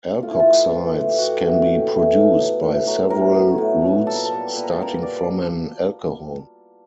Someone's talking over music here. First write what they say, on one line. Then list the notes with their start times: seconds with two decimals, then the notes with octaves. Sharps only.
Alkoxides can be produced by several routes starting from an alcohol.
0.23 A2 F4
0.31 E4
0.39 F4
0.47 E3 A3
0.70 A2
0.94 E3 A3
1.09 G4
1.18 A2 F#4
1.43 E3 A3
1.66 A2 G4
1.90 E3 A3
2.15 A2
2.38 F#3 B3
2.62 A2
2.86 F#3 B3
3.10 A2 A#4
3.34 F#3 B3
3.58 A2
3.82 F#3 B3
4.06 A#2 A4
4.15 A#4
4.25 A4
4.31 G3 B3
4.55 A#2 B4
4.63 A#4
4.73 A4
4.78 G3 B3 A#4
4.96 C#5
5.02 A#2 D5